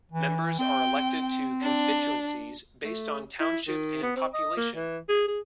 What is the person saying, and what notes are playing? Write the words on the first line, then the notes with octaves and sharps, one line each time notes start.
Members are elected to constituencies based on township and population.
E3
C4 G5
D4
A3
E4
D#3
B3
C4
D#5
A#3
E3
G#4
G#4